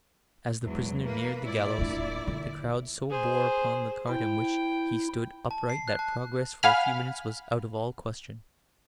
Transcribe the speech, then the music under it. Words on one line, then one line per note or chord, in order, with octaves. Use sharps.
As the prisoner neared the gallows, the crowd so bore upon the cart in which he stood upright that progress for a few minutes was out of all question.
E2 G#2 F#3
A#3 B4
A#2 E4 D5
D1 D4
D3
G#4 C5
E4 G5
A5
C7
F#6
A5
F5 F#5 G#5 B5 F6